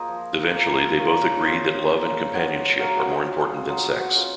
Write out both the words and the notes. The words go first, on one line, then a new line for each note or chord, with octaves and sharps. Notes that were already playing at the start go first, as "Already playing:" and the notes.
Eventually they both agree that love and companionship are more important than sex.
Already playing: A#3 F4 G#4 A#4 C5 D#5
F3
A#3 F4
A#3 A#4 C#5
C#4 F4 C5 D#5
A#3
C#4 F4 D#5 F#5
F#3 C#5 F5
C5 D#5
C#4 F4
G#4 C5
F#3 F4 G#4
F#4
C#4 F4